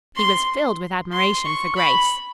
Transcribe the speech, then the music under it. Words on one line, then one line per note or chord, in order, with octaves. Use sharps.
He was filled with admiration for Grace.
C6
C6
C#6
B5